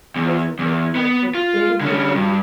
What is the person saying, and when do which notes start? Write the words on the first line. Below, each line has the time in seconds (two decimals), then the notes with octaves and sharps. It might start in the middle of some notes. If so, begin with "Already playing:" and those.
plays a big part if they literally,
0.16 E2
0.59 E2
0.95 B3
1.35 F4
1.81 D3 C#4
2.15 G2